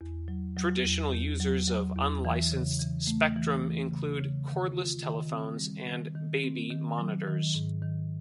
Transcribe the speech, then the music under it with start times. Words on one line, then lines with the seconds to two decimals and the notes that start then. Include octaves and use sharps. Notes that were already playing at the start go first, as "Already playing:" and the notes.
Traditional users of unlicensed spectrum include cordless telephones, and baby monitors.
0.01 E2
0.28 F#3
0.57 F#3
0.84 E2
1.12 E2
1.40 F#3
1.68 F#3
1.96 E2
2.25 E3
2.52 C#3
2.79 E3
3.07 A3
3.36 E3
3.64 E3
3.91 C#3
4.19 C#3
4.48 D#3
4.75 F4
5.03 D#3
5.31 C4
5.59 G3
5.87 D#3
6.15 D#3
6.44 C4
6.71 D#3
6.98 F#3
7.27 D#3
7.55 G#2
7.82 D#3